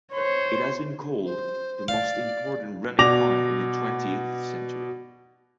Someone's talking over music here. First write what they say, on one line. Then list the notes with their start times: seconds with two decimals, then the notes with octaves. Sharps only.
It has been called the most important runic find in the twentieth century.
0.13 C5 C#5
1.25 C5
1.88 D5 F5
2.99 B2 D5 D6 A#6 F7